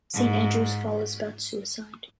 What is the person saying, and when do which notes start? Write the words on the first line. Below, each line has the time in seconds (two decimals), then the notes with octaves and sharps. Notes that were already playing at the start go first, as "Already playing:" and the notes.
"Saint Andrew's Fall" is about suicide.
0.14 G#2